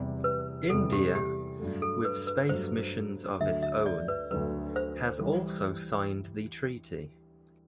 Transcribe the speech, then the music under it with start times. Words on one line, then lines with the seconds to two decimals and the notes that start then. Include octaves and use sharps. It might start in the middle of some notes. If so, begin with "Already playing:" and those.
India, with space missions of its own, has also signed the treaty.
Already playing: E2 C3 G3
0.24 B4
0.70 E2 C3 G3 A4
0.93 G4
1.15 G4
1.59 G2 F#3 A3
1.82 A4
2.05 B4
2.27 B4
2.49 G2 F#3 A3 C5
3.40 D2 D3 F#3 E5
3.63 E5
3.86 D5
4.08 B4
4.31 D2 D3 F#3 B4
4.76 C5
5.21 E3 G3